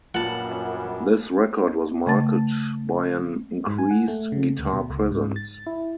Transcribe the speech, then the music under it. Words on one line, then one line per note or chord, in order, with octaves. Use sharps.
This record was marked by an increased guitar presence.
F#2 A#2 G3 B3 D4 F#5 A5
C#3 A3 A5 A6
G#2
G#5
F#5
A3
C#3
D2
B2
C#2
G#2
A6
E4